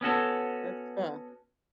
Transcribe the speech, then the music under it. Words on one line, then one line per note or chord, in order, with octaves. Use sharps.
That's cool.
B3 C#4 F#4 A4